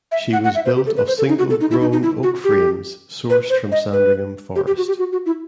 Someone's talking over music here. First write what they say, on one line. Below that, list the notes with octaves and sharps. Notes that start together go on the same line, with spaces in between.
She was built of single grown oak frames sourced from Sandringham Forest.
E5
F#5
F#5
E5
C5
G4
A4
B4
C5
A4
D#4
F#4
A4
D#4
E4
D#4
D#4
E4
F#4
G4
B4
C5
D#5
B4
G4
G4
F#4
G4
F#4
F#4
E4